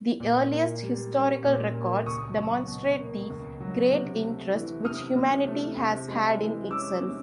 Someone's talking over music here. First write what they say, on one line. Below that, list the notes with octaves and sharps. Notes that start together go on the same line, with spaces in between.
The earliest historical records demonstrate the great interest which humanity has had in itself.
A#2
A#3
G3
C#4
A#2
A#3
C#2 C#6 D#6
F#3
B2
A#3
C#2
F#3
C3
A3
E3
C3 D#6 F6
C3
A3
C3
G#3
E3
C#4 D6 E6
C3